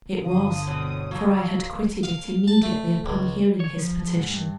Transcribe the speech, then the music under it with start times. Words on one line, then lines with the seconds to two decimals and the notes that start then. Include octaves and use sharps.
It was, for I had quitted it immediately upon hearing his petition.
0.24 G1 D3 F5 D#6
0.67 B2 C4 C#5
1.11 G2 F#3 F5
2.03 F5
2.48 A5
2.63 A3
3.06 C#2
3.60 C#5
3.79 F3
4.15 G#2
4.30 G2